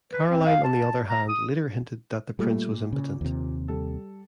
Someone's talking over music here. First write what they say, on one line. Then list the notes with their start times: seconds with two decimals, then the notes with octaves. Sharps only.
Caroline on the other hand later hinted that the Prince was impotent.
0.12 B4
0.31 C4
0.47 F5
0.64 A5
1.09 A#5
1.28 D#6
2.39 A#2 G3 A3
2.92 C#3
3.21 D#2 C3
3.68 G3 A4